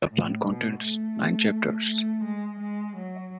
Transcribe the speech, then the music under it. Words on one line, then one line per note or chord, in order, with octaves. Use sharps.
The Plan contains nine chapters.
A2
B2
A3
A3
G#3
G#3
F#3